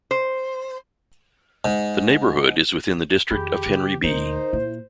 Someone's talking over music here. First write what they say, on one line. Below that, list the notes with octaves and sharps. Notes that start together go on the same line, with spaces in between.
The neighborhood is within the district of Henry B.
C5
G#2
F2 D#3 G4 G#4 B5 G6
C#3
D2 A#2 D#4 A#4 C5
A#2 E4